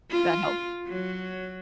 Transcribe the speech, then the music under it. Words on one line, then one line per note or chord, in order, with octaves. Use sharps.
that helped.
F4
F#3